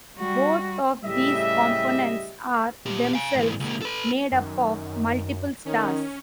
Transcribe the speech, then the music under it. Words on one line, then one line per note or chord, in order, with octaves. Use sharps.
Both of these components are themselves made up of multiple stars.
G3 F#4
A2 C#3 G3 G4 D#5 E5
A#2 G4
F5 G#5
G#2 E3
C#2 A#3
A4 B4
F#2 D#3
D#3 C#4